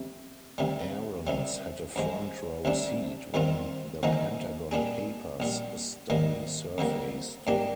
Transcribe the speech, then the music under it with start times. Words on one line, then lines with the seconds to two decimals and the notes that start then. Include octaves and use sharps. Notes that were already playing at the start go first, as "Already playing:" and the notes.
Aarons had a front-row seat when the "Pentagon Papers" story surfaced.
Already playing: F2 C3
0.58 D2 C3 G3
1.27 C2 C3 G3
1.96 G2 F3 G#3
2.65 D2 C3 G3 D4
3.34 G2 D#3 G3 C4 F4
4.03 D#2 D3 F3 G#3 D#4
4.71 A#2 G3 D4 G#4
5.40 A#1 A#2 G3
6.10 G#2 D#3 G3 A#3
6.78 F2 D3 G3 A#3
7.47 G#2 G3 A#3 D4 G4